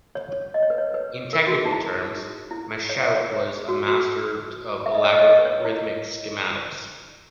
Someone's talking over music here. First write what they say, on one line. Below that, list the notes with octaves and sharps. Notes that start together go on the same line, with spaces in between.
In technical terms, Machaut was a master of elaborate rhythmic schematics.
C#5
D#5
C#5
B4
C#5
B4
A#4
F#4
G#4
D#4
E4
E4
C#5
E5
C#5
G#4
F#4
F#4
E5
D#5
C#5
D#5
D#5
B4
C#5
E4